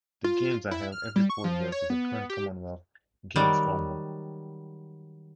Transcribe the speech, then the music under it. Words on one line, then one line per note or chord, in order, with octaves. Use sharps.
The games are held every four years with the current Commonwealth Games format.
F4
E4
F6
G3
C#6
F3
C#5
B3
G4
D#3 F#3 G3